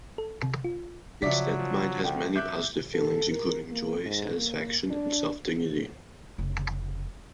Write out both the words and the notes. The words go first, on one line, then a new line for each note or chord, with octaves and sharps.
Instead the mind has many positive feelings including joy, satisfaction and self-dignity.
A4
C3
F4
C#3 F3 F#3 D5 E5 D6 B6
F3
D2 F#5 G5
F#2 E5 D6 F#6 G6
A4
A#4
A#3
G#2
A#3
D4
F1 C#3